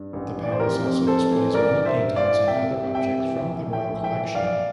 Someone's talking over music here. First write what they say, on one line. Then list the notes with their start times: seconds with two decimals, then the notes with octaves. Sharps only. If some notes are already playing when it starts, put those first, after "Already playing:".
The palace also displays many paintings and other objects from the Royal Collection.
Already playing: G2
0.13 A1
0.37 E3
0.43 D5
0.52 C5
0.60 F1 G4 A#4
0.84 F2
1.07 F1 A4 C5
1.31 E3
1.53 A1 A#4 D5
1.77 G2
1.85 C5 E5
2.01 A1
2.16 D5 F5
2.24 E3
2.48 C2 E5 G5
2.71 C3
2.95 C2 E5 G5
3.18 E3
3.41 A#1
3.65 A2
3.72 E5 G5
3.89 A#1
4.04 E5 G5
4.12 E3
4.35 A#1 D5 F5